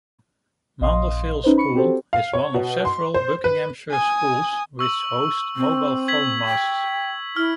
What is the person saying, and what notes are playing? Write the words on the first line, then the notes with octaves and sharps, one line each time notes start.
Mandeville School is one of several Buckinghamshire schools which host mobile phone masts.
A#1 D#5 F5 C6 D#6
C#4 D#4 B4 C5
B5 C#6 C#7
C4 F#4 G4 A4 C5
F5
C#5
B2
C6
C5
B4
G#5 D#6
C#6 E6 F#7
C4
G#6 B6 F#7
G5
E4 F6